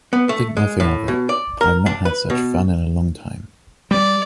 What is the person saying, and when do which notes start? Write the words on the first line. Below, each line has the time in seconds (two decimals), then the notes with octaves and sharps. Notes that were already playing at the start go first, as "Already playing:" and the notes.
Think nothing of it. I’ve not had such fun in a long time.
0.13 B3
0.29 A3
0.57 G#3
0.80 A2
1.08 B2
1.29 D5
1.61 A#4
1.86 D4
2.05 B4
2.30 B2
3.91 G3 D5